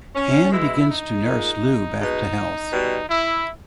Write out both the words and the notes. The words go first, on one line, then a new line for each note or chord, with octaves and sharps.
Anne begins to nurse Lou back to health.
C#4
B2 G#3 E4
D#4
A#2 G#3
B2 G#3 D#4
B2 G3
E4